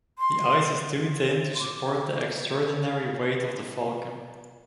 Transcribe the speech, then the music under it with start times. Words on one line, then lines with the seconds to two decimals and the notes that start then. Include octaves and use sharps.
The ice is too thin to support the extraordinary weight of the Falcon.
0.18 C6
1.55 C6
1.60 D6